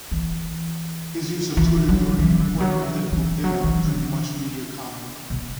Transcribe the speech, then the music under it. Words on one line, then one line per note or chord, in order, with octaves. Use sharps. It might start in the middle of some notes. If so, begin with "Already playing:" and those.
His use of Twitter during an important political dinner drew much media comment.
E3
E3
F#3
E3
D3
F#3
E3
E3
F#3
E3
D3
B2